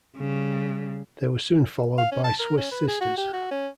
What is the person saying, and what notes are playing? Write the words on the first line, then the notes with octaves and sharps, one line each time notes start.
They were soon followed by Swiss sisters.
C#3 G3
F5
C#4
A5
A#4
C#4
B4
G#4
F#4
G4
F#4
C#4